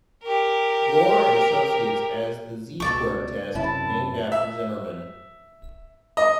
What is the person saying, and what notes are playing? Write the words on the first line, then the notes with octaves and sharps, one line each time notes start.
Gore and Associates as the "Z Square" test, named after Zimmerman.
G4 A#4
C#2 B2 A4 D5 C#6
F#2 C3 C#4 E4 A5
E5
D#5